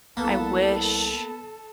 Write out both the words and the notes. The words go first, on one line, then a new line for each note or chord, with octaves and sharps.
I wish
C2 A#3 B3 A4 A5